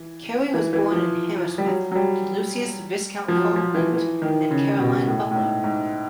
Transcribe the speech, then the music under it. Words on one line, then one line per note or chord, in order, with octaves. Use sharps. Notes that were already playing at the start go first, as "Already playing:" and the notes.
Cary was born in Hammersmith, to Lucius Viscount Falkland and Caroline Butler.
Already playing: E3
E3
E3
F3
G3
F#3
F#3
G3
F3
F#3
F3
E3
E3
D#3
C#3
B2
A2
A2
G#2
G#2